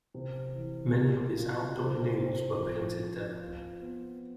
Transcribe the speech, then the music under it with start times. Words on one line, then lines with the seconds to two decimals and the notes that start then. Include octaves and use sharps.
Many of his outdoor nudes were painted there.
0.14 C3
0.55 E3
0.96 B2
1.37 F4
1.77 C3
2.18 C4
2.59 F3
2.99 C4
3.40 F4
3.81 B3